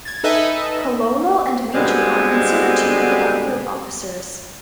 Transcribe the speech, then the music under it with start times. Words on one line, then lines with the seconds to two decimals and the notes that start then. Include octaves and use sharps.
Colonel and Major are considered to be of Field Officers.
0.05 G#6 A6
0.24 D#4 A4 B4 D#5 E5 G#5
1.74 B2 D3 G3 G#3 B3 C4